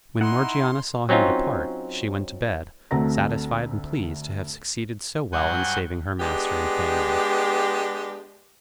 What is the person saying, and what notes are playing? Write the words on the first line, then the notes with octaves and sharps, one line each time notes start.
When Morgiana saw him depart, she went to bed, satisfied and pleased to have succeeded so well in saving her master and family.
D#4 E4 F#5 C6
F#3 C4 C#4 D#4 F4
D2 A3 C4 F#4 A#5 A#6
G2 F#3 F#5 G#5 G6
G#3 B3 D4 G4